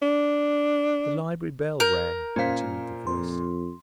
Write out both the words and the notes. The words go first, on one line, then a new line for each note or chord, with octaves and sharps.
"The library bell rang," continued the voice.
D4
A#4 G6
A#2 C#4 C5 F5 B6
F2 C6